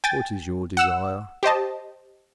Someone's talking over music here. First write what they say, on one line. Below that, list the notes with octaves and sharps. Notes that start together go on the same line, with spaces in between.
"What is your desire?"
G5 G#5 A6
F#5 E6 E7
G4 C5 D#5 A5